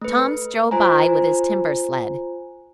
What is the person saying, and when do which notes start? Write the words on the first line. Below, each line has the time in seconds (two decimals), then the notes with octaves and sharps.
Tom strode by with his timber sled.
0.02 A3 B4
0.71 F4 C5 G#5 A#5